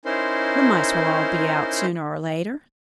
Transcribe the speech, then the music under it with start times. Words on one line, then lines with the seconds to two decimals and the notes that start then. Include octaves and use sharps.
The Mice will all be out sooner or later.
0.05 C#4 D#4 E4 A#4 C5 C6